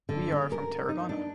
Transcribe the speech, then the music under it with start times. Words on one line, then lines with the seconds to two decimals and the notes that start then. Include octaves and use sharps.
We are from Tarragona.
0.09 D3
0.32 C#4
0.52 A#4
0.89 D#4
1.09 D4